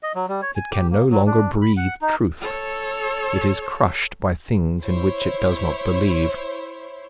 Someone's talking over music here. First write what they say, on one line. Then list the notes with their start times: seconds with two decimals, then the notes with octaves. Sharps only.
It can no longer breathe Truth; it is crushed by things in which it does not believe.
0.03 D#5
0.15 F#3
0.29 G3
0.42 C#5
0.55 G#5
0.72 G4
0.91 A#3
1.11 F#3
1.27 D4
1.62 B5
1.77 F#5
2.02 D#4
2.41 A4 C#5
4.82 E4 C5 C#5